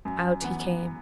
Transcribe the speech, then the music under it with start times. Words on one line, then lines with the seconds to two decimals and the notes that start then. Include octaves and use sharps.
Out he came.
0.05 F#2
0.42 E3 B3